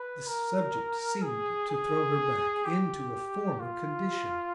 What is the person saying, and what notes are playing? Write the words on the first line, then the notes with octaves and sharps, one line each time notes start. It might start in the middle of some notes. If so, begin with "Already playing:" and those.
The subject seemed to throw her back into a former condition.
Already playing: B4
A#4
G#4
G#4
G4
F4